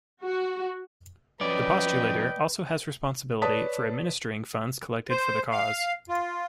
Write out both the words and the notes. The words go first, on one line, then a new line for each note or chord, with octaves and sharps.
The postulator also has responsibility for administering funds collected for the cause.
F#4
F2 C#4 B4 D5 D#5 G5
B4 C#5 D5 A5 D#6 B6
C5
F5
F4